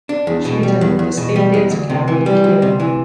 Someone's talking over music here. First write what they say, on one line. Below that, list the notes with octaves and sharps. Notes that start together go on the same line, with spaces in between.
She attended the State Dance Academy in Kiev.
D4
E2
B2
G3
E2
E2
B2
G3
E2
D2
C3
E3
G3
D2
C3
E3